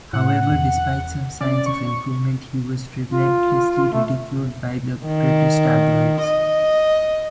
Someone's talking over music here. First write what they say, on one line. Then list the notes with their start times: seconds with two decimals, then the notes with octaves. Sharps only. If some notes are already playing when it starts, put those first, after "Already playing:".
However, despite some signs of improvement, he was relentlessly ridiculed by the British tabloids.
0.13 A2 F#5
0.51 E2
1.41 C#4 D5
1.66 C#6
3.11 F4
3.92 A3
5.06 D#3
6.23 D#5